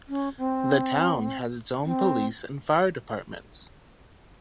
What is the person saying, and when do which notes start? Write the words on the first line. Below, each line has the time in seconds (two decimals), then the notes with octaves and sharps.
The town has its own police and fire departments.
0.08 C#4
0.38 C4
1.84 C4